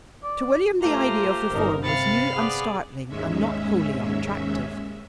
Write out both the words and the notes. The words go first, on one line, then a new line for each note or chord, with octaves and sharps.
To William the idea of reform was new and startling and not wholly unattractive.
D5
A3 F4 G4 C5 A#5
G1 D#4 A#4
C3 F5 B5 A6 C#7
B3 G#4 D5
D#2 G#2 G#3 C#4 E5